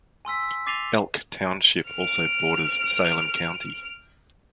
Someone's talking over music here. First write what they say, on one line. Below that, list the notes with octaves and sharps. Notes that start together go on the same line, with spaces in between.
Elk Township also borders Salem County.
G#5 C6 E6 B6
E6
D6 A6 C7 D#7 F7 G7
F6 D7